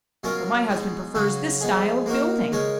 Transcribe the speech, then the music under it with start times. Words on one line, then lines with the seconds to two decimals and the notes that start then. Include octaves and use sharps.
"But my husband prefers this style of building."
0.23 B2 F#3 C#4 F4 A#4
0.69 B2 G#3 D#4
1.15 C#3 F#3 C#4 F#4
1.61 F3 B3 D#4 G#4
2.06 A#3 D#4 F#4 A#4
2.52 C#3 G#3 D#4 A#4 C#5